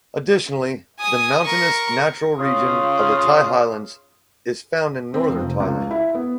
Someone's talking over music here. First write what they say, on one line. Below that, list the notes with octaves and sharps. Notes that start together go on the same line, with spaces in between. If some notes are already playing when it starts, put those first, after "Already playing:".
Additionally, the mountainous natural region of the Thai highlands is found in Northern Thailand.
G#5 D#6
A#4 C#6
C#3 F4 F5 D#6
C4
F2
F1
C#2
E4
B3